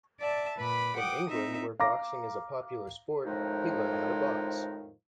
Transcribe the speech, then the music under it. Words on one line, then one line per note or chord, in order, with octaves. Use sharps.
In England, where boxing is a popular sport, he learned how to box.
D5 E5 A5
A#2 B4 B5 D6
F#5 G5 D6 D#6
C4 D#4 E5
F5 A#5 D6 A#6
F2 A2 D#3 F3 G#3 D#4